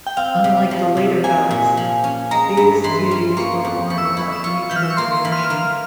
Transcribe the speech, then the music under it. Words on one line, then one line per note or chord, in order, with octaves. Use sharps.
Unlike the later gods, these deities were born without any procreation.
G5
C4 F5
C3
F3
C3
A#3 G#5
A#2
F3
C#4
G#3 A#5
G2
E3 C6
C#4
A#3 C#6
F2
E3 C#6
E6
C#6
E4
E6
F4 C#6
E3 G6
F6
E6
C#6
A#3 C6
C6
E3
F6
A#3 F6